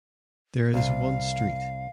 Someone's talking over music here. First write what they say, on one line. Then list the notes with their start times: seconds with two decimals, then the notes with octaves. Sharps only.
There is one street.
0.74 C2 F5